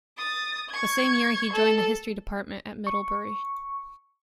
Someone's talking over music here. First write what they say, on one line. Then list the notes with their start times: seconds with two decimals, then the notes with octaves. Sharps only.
The same year he joined the history department at Middlebury.
0.17 D#6 A6
0.69 C#6 G#6
1.53 A4
2.87 C#6